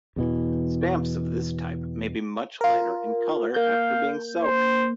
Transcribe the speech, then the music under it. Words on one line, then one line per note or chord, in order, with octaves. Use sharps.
Stamps of this type may be much lighter in color after being soaked.
E2 B2 E3
F4 A#4
A#3 F5 G6
C5